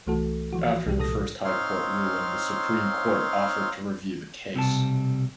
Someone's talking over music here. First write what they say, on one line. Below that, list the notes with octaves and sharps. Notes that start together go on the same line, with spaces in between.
After the first High Court ruling, the Supreme Court offered to review the case.
C2 E3 A3 F#4 A4
E3 F3 F#4
C2 C3 G#3 G4
A#2 A4 D#6 A#6
C4 D#4 C#5 F5 C6 F6
B1 C3 G3 A5